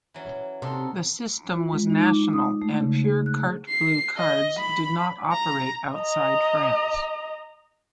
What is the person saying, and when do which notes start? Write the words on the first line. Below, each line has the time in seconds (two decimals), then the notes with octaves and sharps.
The system was national, and pure Carte Bleue cards did not operate outside France.
0.14 E3 F#3 C#4
0.62 C3 D#4 A4 C6
1.53 F4
1.73 G#3
1.90 D#4
2.05 D6
2.33 D#6
2.62 A3
2.80 C#3
3.04 G#4
3.26 F#6
3.69 C7
4.17 D#5
4.59 B5
5.32 A#5
5.97 D#5 A#5